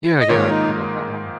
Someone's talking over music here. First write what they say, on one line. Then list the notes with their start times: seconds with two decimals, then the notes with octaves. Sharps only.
Yeah, yeah, I've heard about that one.
0.20 D#5
0.29 G#2 D#3 A#3 F4 C#5
0.49 D#4